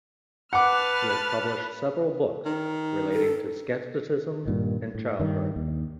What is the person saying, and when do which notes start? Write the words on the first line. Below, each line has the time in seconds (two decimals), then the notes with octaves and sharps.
He has published several books relating to scepticism and childbirth.
0.53 B4 F#5 A5 D6 F6
2.46 D#3
3.13 A4
4.46 G2 A#2 D#3
4.95 A2
5.20 G2 D#3
5.56 D#2